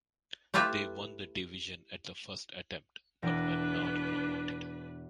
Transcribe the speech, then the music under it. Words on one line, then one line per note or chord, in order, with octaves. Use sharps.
They won the division at the first attempt, but were not promoted.
A3 E4 F4 G4 B4 E5
E1 D4 B4 A#6 D7